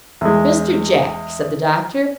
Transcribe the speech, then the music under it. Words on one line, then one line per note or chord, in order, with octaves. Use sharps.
'Mr. Jack!' said the Doctor.
E2 G#3